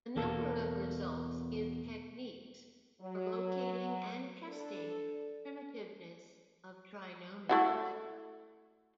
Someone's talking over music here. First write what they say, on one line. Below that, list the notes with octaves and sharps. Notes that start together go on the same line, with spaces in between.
A number of results give techniques for locating and testing primitiveness of trinomials.
E2 B2 A#3 A4
F#3
D4 A4
A3 E4 F#4